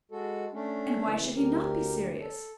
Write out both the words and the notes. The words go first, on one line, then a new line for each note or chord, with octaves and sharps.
"And why should he not be serious?"
G#3 F#4 A4
A3 C#4 D4
C#3 E3
D2 G4 A#4
A4